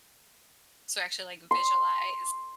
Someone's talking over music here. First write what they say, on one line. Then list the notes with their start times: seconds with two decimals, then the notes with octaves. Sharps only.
So actually, like, visualize
1.51 C6